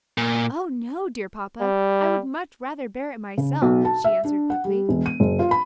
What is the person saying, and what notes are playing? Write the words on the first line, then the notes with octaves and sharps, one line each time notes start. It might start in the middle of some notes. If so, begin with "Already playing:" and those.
"Oh, no, dear papa, I would much rather bear it myself," she answered quickly.
A#2
G3
C#3
B1
A5
E5
D4
F#5
G3
E1
D#7
F#1
F4
B5